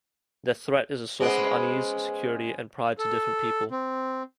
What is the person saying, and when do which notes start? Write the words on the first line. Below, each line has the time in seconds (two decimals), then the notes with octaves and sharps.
Their threat is a source of unease, security, and pride to different people.
1.21 G#3 B3 C#4 G#4 C5 D7
2.99 A4
3.71 C4